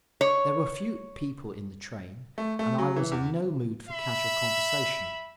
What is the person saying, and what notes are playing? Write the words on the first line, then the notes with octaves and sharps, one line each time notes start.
There were few people in the train, and I was in no mood for casual conversation.
C#5
A3
A3
F#3
E3
E2
E5 B5